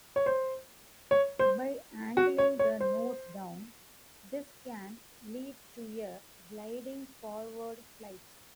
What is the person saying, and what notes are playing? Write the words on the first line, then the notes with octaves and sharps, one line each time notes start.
By angling the nose down, this can lead to a gliding forward flight.
C#5
C5
C#5
C5
F#4
C#5
C#5
C5